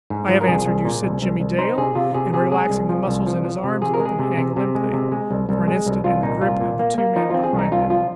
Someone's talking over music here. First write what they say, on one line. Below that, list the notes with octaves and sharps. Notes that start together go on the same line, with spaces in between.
"I have answered you," said Jimmie Dale--and, relaxing the muscles in his arms, let them hang limply for an instant in the grip of the two men behind him.
G#2
F3
A#4
C2 G#4
C2
A#2
C2
C2
C2
D#4 C5
C3 G#4
C3 F4
C3 G#4
C3 G#4
G#3 G#4
C2
F3
C2
F3
F3
C3
C3 G#4
A#4
G#3
G#4
C3
C3
C3
G#3
C3
G#3
C2
C2
G#3
C2
C2 F4
A#2 D#4
C2 F4
A#2
A#3
A#3
F3 D#4
C4 F4
G#4
C2
D#4
C2 F4
F3 F4